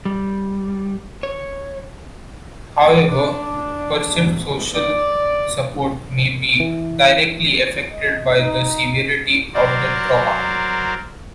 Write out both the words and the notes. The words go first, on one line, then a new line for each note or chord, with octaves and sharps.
However, perceived social support may be directly affected by the severity of the trauma.
G3
C#5
D4
D5
E3
D#5
D#4
F#3 A#4 C5 D5